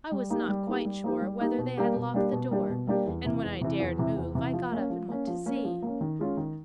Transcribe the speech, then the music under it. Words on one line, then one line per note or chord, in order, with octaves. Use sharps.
I was not quite sure whether they had locked the door; and when I dared move, I got up and went to see.
G3
A#3 D#4 G4
G3
A#3 D#4 G4
G3
A#3 D#4 G4
G3
A#3 D#4 G4
B2
G3 A#3 D4 G4
B2
G3 A#3 D4 G4
B2
G3 A#3 D4 G4
B2
G3 A#3 D4 G4
E2
C3 E3
E2
C3 E3
E2
C3 E3
E2
C3 E3
F3
A#3 C#4
F3
A#3 C#4
F3
A#3 C#4
F3
A#3 C#4
D#3
G#3 C#4 F4
D#3